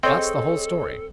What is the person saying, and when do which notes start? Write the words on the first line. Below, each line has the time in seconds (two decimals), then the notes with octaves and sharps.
That's the whole story.
0.03 C4 G#4 A4 C#5 D#5